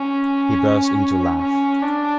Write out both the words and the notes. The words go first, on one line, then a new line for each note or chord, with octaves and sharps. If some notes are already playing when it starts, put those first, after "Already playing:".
He burst into a laugh.
Already playing: C#4
C#4
D4